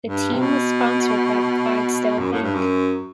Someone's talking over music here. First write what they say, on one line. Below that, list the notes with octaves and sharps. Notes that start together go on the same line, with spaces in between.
The team was sponsored by the Clydesdale Bank.
G2
C3
B2
F#2
A2
G2
F#2